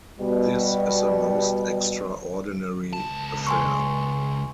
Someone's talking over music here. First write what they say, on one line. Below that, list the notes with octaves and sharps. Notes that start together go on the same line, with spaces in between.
This is a most extraordinary affair.
B2 G3
C#2 A5
G#5 C6 C#6